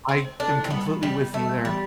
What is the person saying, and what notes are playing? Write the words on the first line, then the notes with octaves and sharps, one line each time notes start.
I am completely with you there.
C4 C5
C5
D4 A4
E4
C4
G3 B3
E3
E3 G3
B3
G3 A3
B3
E3 G3